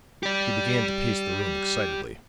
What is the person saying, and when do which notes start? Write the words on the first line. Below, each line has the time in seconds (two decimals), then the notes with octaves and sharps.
He began to pace the room excitedly.
0.23 G4 D5